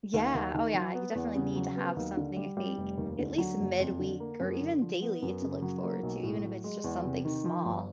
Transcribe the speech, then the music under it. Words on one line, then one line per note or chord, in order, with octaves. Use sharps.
Yeah. Oh, yeah, you definitely need to have something, I think. At least midweek, or even daily to look forward to, even if it's just something small.
D#2
D#2
D#3
F#3
B3
E2
C#3
F#3
B3
D#2
D3
G3
G3
F1
D#2
D3
F#3
F#1
F2
D3
A#3
F#2
D3
F3
B3
F#2
C#3
F#3
A#3
B1
A2
F#3
G#3
E2
C3
D#3
F3
G1